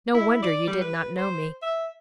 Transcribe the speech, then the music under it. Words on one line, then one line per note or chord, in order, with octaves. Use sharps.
No wonder you did not know me.
E4
D5
G3
B4
C5
E5